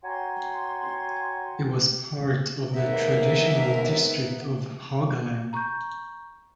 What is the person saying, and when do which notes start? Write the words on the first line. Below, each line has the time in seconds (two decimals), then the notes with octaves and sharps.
It was part of the traditional district of Haugaland.
0.04 F#4 C#5 G5 G#5 A#5 C6
2.75 D#2 G#2 A#3 B3 A#4 E5
5.53 A#5 C#6 G6